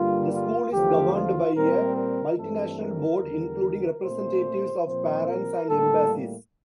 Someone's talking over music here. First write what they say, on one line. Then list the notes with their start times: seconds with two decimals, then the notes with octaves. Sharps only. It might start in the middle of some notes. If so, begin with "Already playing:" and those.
The school is governed by a multi-national board, including representatives of parents and embassies.
Already playing: G2 D3 G3 A#3 F4
0.32 F4
0.73 E2 D3 F3 A3 G4
1.14 F4
1.55 A#2 G3 C4 A#4
1.97 A#4
2.38 G2 E3 A3 C4 A4
2.79 A#4
3.20 E2 D3 G3
4.03 A#2 A3 C4 C5
4.86 A#2 F3 C4 C5
5.27 A#4
5.68 A2 G3 A#3 A4